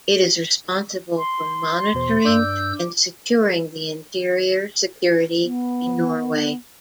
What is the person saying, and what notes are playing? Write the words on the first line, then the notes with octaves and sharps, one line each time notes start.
It is responsible for monitoring and securing the interior security in Norway.
C6
E2 B2 C5
G2 D5 D6 E6 G6
B3